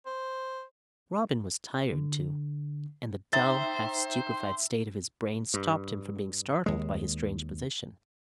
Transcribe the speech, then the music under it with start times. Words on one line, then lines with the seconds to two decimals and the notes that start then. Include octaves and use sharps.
Robin was tired too, and the dull, half-stupefied state of his brain stopped him from being startled by his strange position.
0.06 C5
1.93 D3
3.33 D#4 C5 E5 G5 A#5 A6
5.54 G2
6.66 D#2 G#3